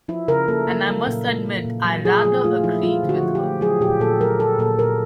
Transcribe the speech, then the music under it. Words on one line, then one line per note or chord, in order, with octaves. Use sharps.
And I must admit I rather agreed with her.
F3 E4
C#3 A#4
A#3 A4
A#3
F#3
A#2
A#3
A#3
A#2
F#3
F3 G#4
F3 G#4
A3 F4
F3 E4
F3 F4
D3
F#4
F3
G4
A3
F#3 G#4
A#2 G4
A#2 A4
F#3 A#4
F#3 A4
A#2 A4
A#2 A#4